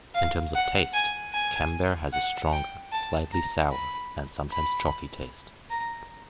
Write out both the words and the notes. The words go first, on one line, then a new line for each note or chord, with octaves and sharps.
In terms of taste, camembert has a stronger, slightly sour, and sometimes chalky taste.
F5
F#5
G#5
G#5
F#5
G5
A5
A#5
B5
B5
A#5